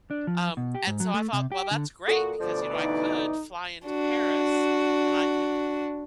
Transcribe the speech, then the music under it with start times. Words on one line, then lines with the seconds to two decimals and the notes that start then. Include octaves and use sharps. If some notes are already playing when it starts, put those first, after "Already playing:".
Um, and so I thought, "Well, that's great," because, you know, I could fly into Paris, and I could,
0.11 D4
0.27 F3
0.57 B2
0.75 G4
0.87 G#2
1.00 F#3
1.14 A3
1.33 C3
1.52 G4
1.71 D3
2.08 A#2 F#4 A4
2.40 D2 B2 F3 D5
2.73 E3 D#4
3.86 D4 F#4